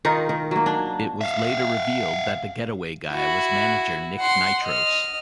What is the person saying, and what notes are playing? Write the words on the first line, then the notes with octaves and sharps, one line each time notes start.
It was later revealed that the Getaway Guy was manager Nick Nitros.
D#3 D#4 F4
D#3
F#3 A#3
D4
E5 F5
E4 F#4
F#5 C6
D#5 F6